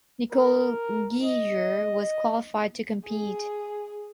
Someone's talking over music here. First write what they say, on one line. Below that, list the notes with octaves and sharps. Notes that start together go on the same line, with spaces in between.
Nicole Geiger has qualified to compete.
A#4
D#5
G#4